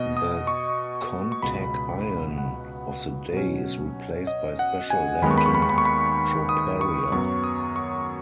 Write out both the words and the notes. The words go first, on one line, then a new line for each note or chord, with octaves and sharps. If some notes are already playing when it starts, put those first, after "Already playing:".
The Kontakion of the Day is replaced by special Lenten troparia.
Already playing: B2 B3 D#5
D#6
C#6
C#6
C#2 B2 B3 B5
F#5
B2 F#3 C#4
D#5
F#5
G#5
D#2 D#3 G#3 B3 B5
C#6
B5
C#6
B5
C#6
B5
C#6
B5
D#6
C#6
F#2 F#3 B3 C#6
D#6
C#6